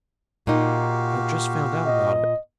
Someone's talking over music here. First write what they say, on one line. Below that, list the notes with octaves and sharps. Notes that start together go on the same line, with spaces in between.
I have just found out about it.
A#2 D#4 F#4 G4 F5
D#5